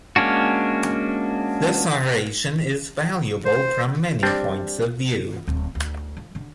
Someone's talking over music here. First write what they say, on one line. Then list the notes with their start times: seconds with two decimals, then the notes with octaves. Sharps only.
This oration is valuable from many points of view.
0.16 G#3 A#3 C#4 D4 F#4
3.45 C5
4.23 G3 C4 D4
5.48 D1
5.75 D2
6.17 F3
6.35 D3